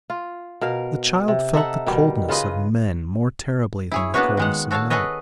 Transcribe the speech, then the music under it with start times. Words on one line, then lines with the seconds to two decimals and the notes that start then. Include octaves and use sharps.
The child felt the coldness of men more terribly than the coldness of night.
0.10 F4
0.61 B2 A#4 F5
1.28 C3
1.54 D#4 A4 E5 F#5
1.86 B2 D#3 G3
2.29 C#3 F4 B4 D#5
3.92 E4 G#4 C#5
4.14 A#3 B3 D4 F#4 B4 C#5
4.37 D#3 G#3 F#5
4.71 F#4 A4 C#5 F5 A5
4.90 F#4 G#4 A4 B4 C#5 D#5